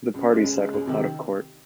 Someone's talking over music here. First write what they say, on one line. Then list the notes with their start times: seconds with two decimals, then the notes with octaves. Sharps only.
The parties settled out of court.
0.14 C#2
0.29 C#3 G#3
0.44 C#2
0.59 C#3 G#3
0.73 C#2
0.87 C3 D#3